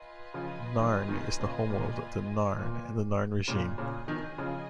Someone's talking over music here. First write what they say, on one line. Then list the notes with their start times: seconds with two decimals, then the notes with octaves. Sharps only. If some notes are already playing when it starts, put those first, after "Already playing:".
Narn is the homeworld of the Narn and the Narn Regime.
Already playing: F4 B4 D#5 G#5
0.34 C#3 F3
0.79 D#3 F#3
1.09 B2 D#3
1.39 A#2 C#3
1.69 A#2
2.59 A#2
3.48 A#2 C#3 C#4 G#4 D#5 G#5
3.78 A#2 C#3
4.08 B2 D#3
4.38 C#3 F3